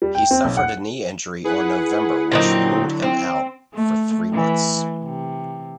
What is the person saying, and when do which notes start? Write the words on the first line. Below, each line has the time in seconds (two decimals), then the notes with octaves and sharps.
He suffered a knee injury on November which ruled him out for three months.
0.02 G3
0.15 G5
0.31 C4
0.44 B1
0.57 F#5
1.44 E4 G#4 B4 F#5
2.32 A#2 D3 F#3 C4 D#4
3.02 C4
3.74 A3
4.33 E3
5.04 C3